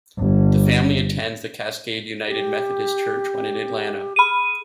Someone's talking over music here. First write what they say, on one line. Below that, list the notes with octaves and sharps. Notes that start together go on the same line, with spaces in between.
The family attends the Cascade United Methodist Church when in Atlanta.
G1
G4
G#4 B5 D#7